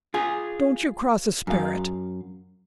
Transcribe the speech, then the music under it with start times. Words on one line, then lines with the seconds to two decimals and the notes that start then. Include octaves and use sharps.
"Don't you cross a sperrit."
0.14 F4 G#4
1.47 F#2 F5